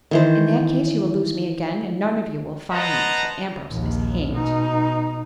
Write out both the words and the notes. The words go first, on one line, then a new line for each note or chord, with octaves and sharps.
"In that case you will lose me again, and none of you will find me till Ambrose is hanged."
D#3 E3 C5
B4 C5 D#5 F#5 A5 A#5
A#1 D#2
B2 D#4